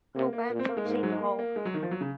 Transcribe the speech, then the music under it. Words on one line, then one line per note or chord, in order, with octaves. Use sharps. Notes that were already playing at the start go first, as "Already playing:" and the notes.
Hoban from Saint Paul.
C3 A#3
A#3
A#2
C4
A#3
G#3
G#2 A#3
G#3
F#3
G#3
A#3
A#3
G#3
F#3
D#3
F3
F#3
C#3